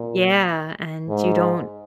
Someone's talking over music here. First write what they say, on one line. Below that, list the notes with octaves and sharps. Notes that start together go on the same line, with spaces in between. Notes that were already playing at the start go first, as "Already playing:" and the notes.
Yeah, and you don't
Already playing: A#2
G#2